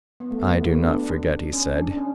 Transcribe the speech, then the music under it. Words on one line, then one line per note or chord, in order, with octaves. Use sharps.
"I do not forget," he said.
B3
A3
B3
B3
A3
B3
D4
D4
C#4
D4
D4
C#4